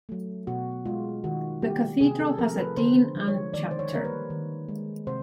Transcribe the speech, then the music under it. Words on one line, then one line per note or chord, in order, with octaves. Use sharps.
The cathedral has a Dean and Chapter.
F#3 A3
B2 F#4
G#3 F4
D#3 F#4
G3 A#3 G4
C3 G#4
A4
F3 A3 A#4
B4
D3 C5
F3 G#3
C#5
D#3 D5
C5
C#5
G3 A#3 A#4
B4
D#3
G#3
C3 C5